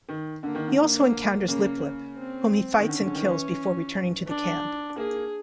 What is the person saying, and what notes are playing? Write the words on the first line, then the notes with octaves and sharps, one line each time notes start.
He also encounters Lip-Lip whom he fights and kills before returning to the camp.
D#3
D3 A#3
D#3
D3
A#3
C#3 A#3
C4
D#3
D3 C#4
C#3
D3
D#3
E3
D4
A#3 G#4